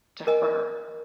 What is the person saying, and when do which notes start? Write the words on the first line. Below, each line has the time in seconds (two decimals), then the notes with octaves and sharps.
to for her.
0.27 A#4 D#5 G#5